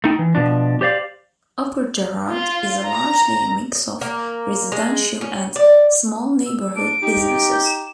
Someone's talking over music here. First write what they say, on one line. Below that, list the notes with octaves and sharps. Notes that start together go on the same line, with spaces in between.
Upper Gerrard is largely a mix of residential and small neighbourhood businesses.
A3 D#4 G5
E3
B2 F3 D4
G4 C5 D5 F5
F4
A#5
A#3
G#3
C#4
D5
E6
D4 D7
D#4 G4
D7
G6
E7